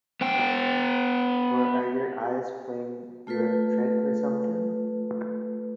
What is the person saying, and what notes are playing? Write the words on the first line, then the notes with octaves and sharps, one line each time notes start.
Or are your eyes playing you a trick or something?
B3 G5
A3 F4 A4 B4